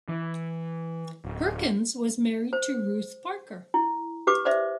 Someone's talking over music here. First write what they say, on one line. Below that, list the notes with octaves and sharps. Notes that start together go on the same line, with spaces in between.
Perkins was married to Ruth Parker.
E3
D1
C5
E4
G4 B4 D6
C5 D5 E5